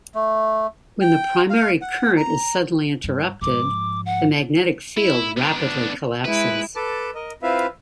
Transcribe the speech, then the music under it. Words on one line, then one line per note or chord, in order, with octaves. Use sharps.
When the primary current is suddenly interrupted, the magnetic field rapidly collapses.
A3
G5
F5
F#5
A#5
G2
G#2 F3 D6
F#5
E4
B3 D4
G#3 E4 B4
A4 B4 A5 D6
A#4 D#5
C4 E4 F4 B4 E5 F5